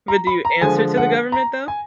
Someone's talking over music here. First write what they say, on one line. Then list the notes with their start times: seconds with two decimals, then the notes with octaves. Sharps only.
But do you answer to the government though?
0.08 A#5
0.27 B5
0.45 A#5
0.61 D3 F3 G#3 G#5
0.97 F#5
1.32 A#5
1.68 G#5